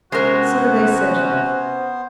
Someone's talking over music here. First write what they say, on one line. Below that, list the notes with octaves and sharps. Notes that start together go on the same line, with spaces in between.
So they set off.
C3 G#3 B3 C#4 F#4 A#4 C5